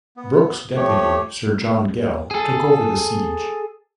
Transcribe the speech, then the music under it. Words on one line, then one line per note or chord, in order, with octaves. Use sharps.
Brooke's deputy Sir John Gell, took over the siege.
B3
F3 A3 G4 C#5
G#4 A4